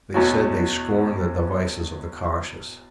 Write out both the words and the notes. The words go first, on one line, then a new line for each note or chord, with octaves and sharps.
They said they scorned the devices of the cautious.
E2 B2 A3 C#4 F#4